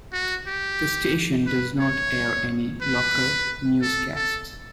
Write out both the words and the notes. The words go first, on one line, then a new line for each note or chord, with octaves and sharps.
The station does not air any local newscasts.
F#4
G4
B4
C#5
B4
A4
A4